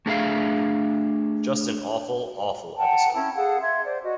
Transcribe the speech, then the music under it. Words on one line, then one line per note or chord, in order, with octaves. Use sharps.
Just an awful, awful episode.
A3 D4 G#4 E5 F5
F#5 G5 A5 A#5
C#4 E4 A5 B5
G#4 A4 F5 F#5
E5 F5 C6 G#6
C5 D5
F#4 D#5